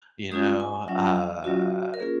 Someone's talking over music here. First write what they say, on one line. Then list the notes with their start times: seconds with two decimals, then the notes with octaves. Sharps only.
you know, uh,
0.31 G#3 C#4 F4 D#6
0.60 G#5
0.88 F#3 C#4 F4 F#5
1.16 F5
1.44 F#3 C#4 F4 F#4
1.94 A#4
2.00 A#3 C#4 F4 G#4